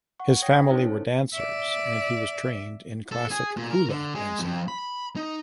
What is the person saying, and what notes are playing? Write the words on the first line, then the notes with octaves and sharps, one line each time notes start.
His family were dancers and he was trained in classic hula dancing.
F#5 C#6
C#5 G5 D#6 G#6 A#6
C#4 D#4 E4 C5 C#5
A4
D5 E5
A4
G#4
A#2
A#4
D3
G#3
F2
B5
D#4